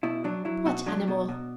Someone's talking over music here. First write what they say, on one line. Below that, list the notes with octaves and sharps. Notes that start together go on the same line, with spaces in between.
"What animal?"
B2 E4
F#3 D4
F#3 E4
B2 F#4
F#3 D4
B2
B2